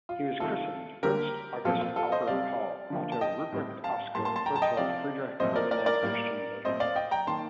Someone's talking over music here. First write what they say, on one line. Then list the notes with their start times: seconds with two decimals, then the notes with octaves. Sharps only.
He was christened, "Ernst August Albert Paul Otto Rupprecht Oskar Berthold Friedrich-Ferdinand Christian-Ludwig".
0.09 F4
0.40 C3 D#3 A3 F4 A4
1.03 D3 G3 A#3 G4 A#4
1.65 A#2 F3 C4 F4 A4
1.81 F4
1.96 F4 A4
2.12 C5 D#5
2.27 C3 G3 C4 D5 F5
2.90 D3 F3 A#3
3.12 A5
3.21 D#5 G5
3.52 A2 G3 C4
3.84 F5 A5
4.15 A2 G3 A#3 A5 C6
4.25 A5 C6
4.36 A5 C6
4.46 G5 A#5
4.56 A5
4.62 D#5 G5
4.77 C3 F3 C4 D5 F5
5.40 A#2 F3 A3 C4 C5 D#5
5.56 A#4 D5
5.71 A#4 D5
5.86 A#4 D5
6.02 A2 G3 A#3
6.65 A#2 A3 C4 C5 D#5
6.80 D5 F5
6.96 D#5 G5
7.11 G5 A#5
7.27 D#3 A#3 A5 C6